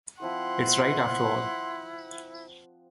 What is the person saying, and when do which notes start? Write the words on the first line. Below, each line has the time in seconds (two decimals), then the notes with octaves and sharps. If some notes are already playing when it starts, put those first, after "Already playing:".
It's right, after all!
0.20 F3 C4 E4 F#5 C6 D#6